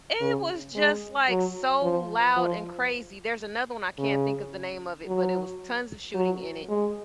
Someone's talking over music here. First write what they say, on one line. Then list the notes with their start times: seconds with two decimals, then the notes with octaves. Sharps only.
It was just, like, so loud and crazy, there's another one, I can't think of the name of it, but it was tons of shooting in it.
0.20 C#3
0.75 G#3
1.29 F#3
1.82 F3
2.36 F3
3.98 C#3
5.07 F#3
6.14 F#3
6.69 G#3